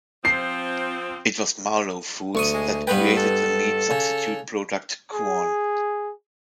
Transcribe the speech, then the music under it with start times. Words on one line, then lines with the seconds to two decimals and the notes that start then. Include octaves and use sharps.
It was Marlow Foods that created the meat substitute product Quorn.
0.25 F3 C4 C7
2.35 D2 C#6 D#6
2.53 G#3
2.87 G2 B3 B4 G5
3.17 A4
3.91 C#3
5.13 G#4